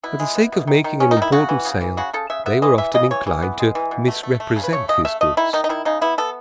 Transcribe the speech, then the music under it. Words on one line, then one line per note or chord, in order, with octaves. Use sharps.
For the sake of making an important sale they were often inclined to misrepresent his goods.
B2 E4
G#3
B2
B2
D#3
D#3
B3 C#4
D#4
D#3
E4
C#3 F#4
E3
C#3
E3
C#3 F#4
C#3 A4
C#3 E5
B3 E5
E3 D#5
E3 E5
C#3 D#5
E3 C#5
E3
B3
G#3
E3
B2
A3
A3
A3
C#3
B4
A3 C#5
C#3 D#5
A3 E5
A3 D#5
D#3 E4
D#3 D#4
D#4
D#3 E4
C#3 D#4
B3 E4
B3 A4